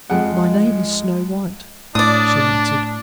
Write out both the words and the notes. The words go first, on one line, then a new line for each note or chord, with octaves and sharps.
"My name is Snow-white," she answered.
F2 G#3 G#4 F#5
A2 D4 D5 D#6